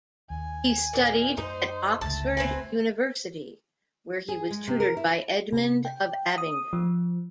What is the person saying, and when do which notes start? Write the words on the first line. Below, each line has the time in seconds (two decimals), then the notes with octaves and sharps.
He studied at Oxford University where he was tutored by Edmund of Abingdon.
0.30 D#2 G#5
0.93 A#2
1.37 F#2 A3 D#4 C5
2.01 F1 C#2 D3 A3 A5
2.37 C4 B4 G#5
4.29 G#4
4.51 G#3
4.68 C3
4.80 A#4
4.97 E4
5.53 C3
5.85 G5
6.38 D#6
6.73 F3